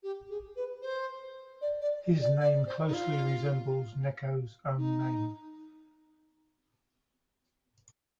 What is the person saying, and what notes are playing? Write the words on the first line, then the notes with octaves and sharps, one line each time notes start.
His name closely resembles Necho's own name.
G4
G#4
B4
C5
D5
D5
D5
D5
C5
D#4
F4
D#4